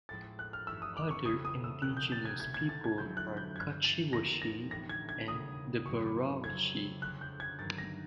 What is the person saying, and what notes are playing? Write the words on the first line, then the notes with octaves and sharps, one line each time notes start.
Other indigenous people are the Kociewiacy and the Borowiacy.
A2 F3 G#3 C4 E4 A6
F#6
F6
G2 E3 A3 C#4 E4 E6
D#6
D6
C#6
F1 F2 C#3 E3 A3 D#6
D#6
E6
C2 B2 G3 F#6
G6
A6
G#6
D2 C3 E3 A3 G#6
G#6
A6
G#6
F2 D3 F#3 B3 E4 G6
F#6
G6
G1 G2 E3 G#6
A6
F2 D3 F3 A#3 D#4 A#6
A#6
A2 E3 G3 B3 D4 A#6
G#6
G#6
E1 D#2 C#3 D#6
G1 G2 D#3 F#3 A#3 C#6
D6
F2 C#3 F#3 G#6
F2 D3 F3 G#3 C#4 F#6
G6
G#6
G2 D#3 F#3 A#3 D4 A6
A#6